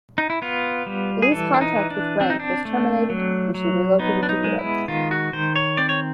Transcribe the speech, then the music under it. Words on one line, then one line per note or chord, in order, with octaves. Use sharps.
Lee's contract with Rank was terminated and she relocated to Europe.
D#4
E4
B3 F4
G3
G#4
E3 A4
D4
D#4
E3
D4
C4 D4
D#4
D4
A3
F#3
F#3
B3 D#4
D4
D#4
G#3
E4
D#3 F4
F#4
D#3 C5
C#5
C4 D5
C#5